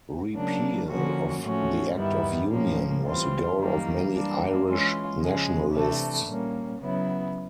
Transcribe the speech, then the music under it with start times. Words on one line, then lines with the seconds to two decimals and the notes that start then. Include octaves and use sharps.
Repeal of the Act of Union was a goal of many Irish nationalists.
0.34 C#3 F#3 A#3 D4
0.88 D3 F3 A#3 C#4 F#4
1.43 A2 F3 A3 C#4 F#4
1.95 G2 D#3 G3 B3 E4
2.49 A2 F3 A#3 C#4
3.04 E3 G3 C4 F4
3.57 F#2 D#3 G3 A#3
4.11 E3 G3 A#3 D4
4.65 E3 G#3 C#4 F4
5.19 C#3 F3 G#3
5.72 C3 E3 A3 D4
6.26 A#2 G3 A#3 C#4
6.80 C#3 F#3 B3 E4